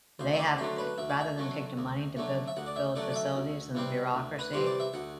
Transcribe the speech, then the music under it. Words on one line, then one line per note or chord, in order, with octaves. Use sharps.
they have they Rather than take the money to build build facilities and bureaucracy,
D2 C5
E5
D5
D3 F#3 A3 C5
B4
D2 E5
D5
E5
D3 F#3 A3
D2
D3 F#3 A3
E5
D2 F#5
D5
E5
D3 F#3 A3 D5
D5
E5
D2
C3 E3 G3 C4
D2
B4
C3 E3 G3 C4 C5
D5
E5
D2 F#5